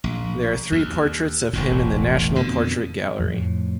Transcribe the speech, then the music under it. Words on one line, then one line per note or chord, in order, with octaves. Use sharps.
There are three portraits of him in the National Portrait Gallery.
A#1
D#2
E1 A1 A2
F2 B2 D3
F2 A2